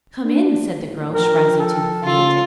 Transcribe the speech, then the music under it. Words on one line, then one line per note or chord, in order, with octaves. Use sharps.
'Come in,' said the Groac'h, rising to her feet.
D4
A#1 D#2 A2
F3 D4 A#4 G5
A4
C#3 F4